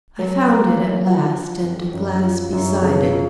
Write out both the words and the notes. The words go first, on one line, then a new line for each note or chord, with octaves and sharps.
I found it at last and a glass beside it.
F#3
A#3
F#3
F3 F#5
F3
F2
F#2
F3
F#2
C#3
F3